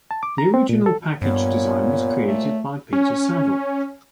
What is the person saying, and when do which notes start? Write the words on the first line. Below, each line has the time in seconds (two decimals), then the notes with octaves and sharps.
The original package design was created by Peter Saville.
0.11 A5
0.23 D6
0.38 A#5
0.54 C4
0.69 A#2
0.86 A4
1.22 G2 A#2 B3 C#5
2.27 A3
2.93 C#4